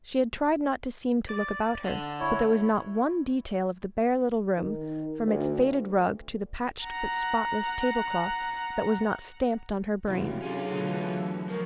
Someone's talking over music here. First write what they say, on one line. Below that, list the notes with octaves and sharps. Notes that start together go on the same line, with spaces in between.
She had tried not to seem to look about her; but there was not one detail of the bare little room, from its faded rug to the patched but spotless tablecloth, that was not stamped on her brain.
D5
D3
E4 C#5
D#3
D2
F#5 A#5
C2 F#2 C#3 E3 C4 G4
F#3 C#4 D4 F4 G#4 A4
B2 D3 F#3 A3 E4
E3
F3 G#3 F4 A#4 C#6